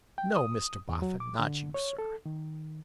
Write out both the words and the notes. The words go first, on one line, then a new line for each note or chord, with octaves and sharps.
'No, Mr Boffin, not you sir.
G5
D#6
E2
F#3
D6
D3
C#5
A4
D#3